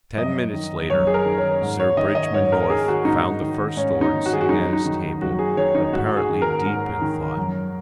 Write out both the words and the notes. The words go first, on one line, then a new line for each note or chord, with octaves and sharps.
Ten minutes later Sir Bridgman North found the First Lord sitting at his table, apparently deep in thought.
F#2 D#5
D#3
F#2 C#5
G#4
A#4
D#3
C#5
G#2
C#5
D#3 D#5
D#5
G#2 C#5
A#4
D#3 G#4
F#4
G#2 D#4
D#3
G#2 C#4
D#4
D#3
F#4
G#4
F#4
F#2 D#4
D#4
D#3
F#2 F#4
G#4
D#3 C#5
D#4
G#2 F#4
G#4
D#3
A#4
G#2
D#3
F#2